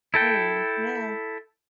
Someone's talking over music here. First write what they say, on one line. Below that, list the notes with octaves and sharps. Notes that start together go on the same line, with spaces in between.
Dang! Yeah.
E4 A4 G5